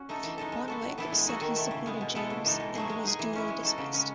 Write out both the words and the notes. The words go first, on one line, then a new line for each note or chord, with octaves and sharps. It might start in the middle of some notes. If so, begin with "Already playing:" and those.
Bonwicke said he supported James and was duly dismissed.
Already playing: C#4 F#4
A3 D#4 A4
E3
G#3 D#4 A4
G#3
B3 F#4 A4
A2
E3 B3 E4 A4
G#3
D#4 F#4 A4
D#3
A3 E4 A4
C#3
G#3 B3
B2
G#3 B3 E4 A4
C#3
E3 G#3 D#4 A4
B2
F#3 A3 D#4 G#4
G#3
D#4 G#4
E3
G#3 C#4 E4
G#3
D#4 F#4 A4
C#3
G#3 C#4